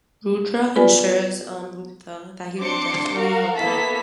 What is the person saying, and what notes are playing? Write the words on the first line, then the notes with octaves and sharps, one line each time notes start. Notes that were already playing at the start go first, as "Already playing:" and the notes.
Rudra ensures Amrutha that he will definitely help her.
B3 F4 B4 D5 G#5
C4 D4 C6 D6 C#7
F#4 A#4 F5
A#3 B3 E4 A4 B6